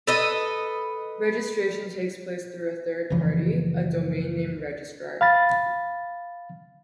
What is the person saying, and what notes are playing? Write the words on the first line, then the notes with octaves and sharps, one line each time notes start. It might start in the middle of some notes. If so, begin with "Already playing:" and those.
Registration takes place through a third party, a domain name registrar.
A4 B4 D#5
F#1 C#2 E3 F3
F5 B5 A6